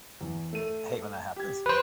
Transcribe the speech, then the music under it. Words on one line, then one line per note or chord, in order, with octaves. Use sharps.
I hate when that happens.
E2
A3 D#7
G4 G#6
B4 C5